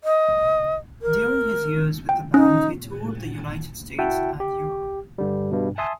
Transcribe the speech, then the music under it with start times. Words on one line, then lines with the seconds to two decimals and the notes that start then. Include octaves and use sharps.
During his years with the band he toured the United States and Europe.
0.04 D#5
1.02 A#4
2.09 G5
2.34 C#4 D#4
3.98 E4 F#4 E5 F#5 G5 A5
4.40 G4
5.18 G2 D3 G3
5.51 G2 B2
5.78 E5 G#5 A5 C6 D#6